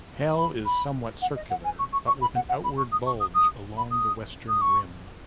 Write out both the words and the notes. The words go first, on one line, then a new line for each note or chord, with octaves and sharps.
Hell is somewhat circular but with an outward bulge along the western rim.
B5
B5
F#5
D#5
F#5
G#5
C#6
C#6
C#6
B5
F#5
F#5
B5
C#6
D#6
C#6
D#6
D#6
B5
D#6
D#6
C#6